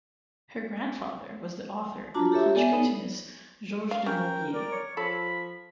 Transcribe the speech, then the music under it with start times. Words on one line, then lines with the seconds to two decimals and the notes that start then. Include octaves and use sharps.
Her grandfather was the author and Punch cartoonist George du Maurier.
2.14 D4 F4 F#4 A5 A#5 D6
2.32 G4 A4 C#5 E5
2.56 B3 A4 D5 G#5
2.73 B3 D#4
3.91 F5
4.06 C#4 A#4 G5
4.52 A#4 D5
4.72 C#5
4.97 F3 A4 B5